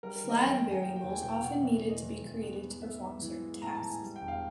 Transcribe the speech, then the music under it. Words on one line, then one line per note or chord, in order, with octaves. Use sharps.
Flag variables often needed to be created to perform certain tasks.
G3 A#4
A#4
D#3
D#5
F#2 G5
F#2
G#5
A#3 G5
G5
E2
G#5
B2 G5
B2 F#5
E2 E5
E2
D#5
E2
E2
B3
G#2
B3 E5
G#2
E3
G#3
A2 A#5
A5
E3
G#5
G3
G5
E1
F5